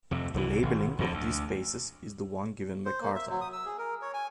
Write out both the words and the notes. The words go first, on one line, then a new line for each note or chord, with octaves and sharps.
The labelling of these spaces is the one given by Cartan.
F2 C3
C2 E3
G#1
F2 G#2 D3
D2
C5
A#3
E5
F#3
D#6
E6
G#4
A#4
C#5
G#5